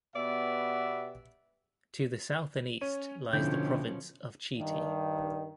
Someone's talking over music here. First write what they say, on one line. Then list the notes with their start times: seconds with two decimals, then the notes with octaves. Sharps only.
To the south and east lies the Province of Chieti.
0.15 B2 B3 G4 D5 E5 F#5
2.81 C#4 C#5 D#7
3.33 G1 B2 D3 F3 C#4 E4 G5 G6
4.58 G2 D#3